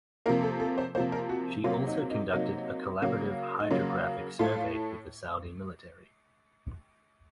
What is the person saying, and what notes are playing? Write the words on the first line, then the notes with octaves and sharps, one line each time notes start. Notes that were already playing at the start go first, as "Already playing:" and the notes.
She also conducted a collaborative hydrographic survey with the Saudi military.
C3 F3 A#3 A#4
A4
A4
C5
C3 F3 A#3 C5
A#4
F#4
C3 F#3 A#3 F4
D#4
D#4
C3 F#3 A#3 D#4
C#3 F#3 A#3
D#4
C#3 F#3 A#3 F4
A2 A3 F4